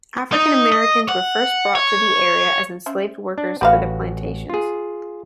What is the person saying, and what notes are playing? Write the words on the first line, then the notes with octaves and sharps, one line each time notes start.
African Americans were first brought to the area as enslaved workers for the plantations.
D#4
D#5
F#5
C#5
C#4 C5 E5
D4
A1 F#4 G4 B4 F5 F#5
F4 G#4